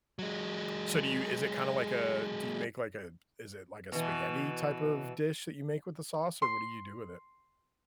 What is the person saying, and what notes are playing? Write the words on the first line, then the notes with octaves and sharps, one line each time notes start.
so do you is it kinda like a do you make like, a is it like a spaghetti type of dish that you make with the sauce, or what do you do with it?
F#3 G#3
B2 E3
C6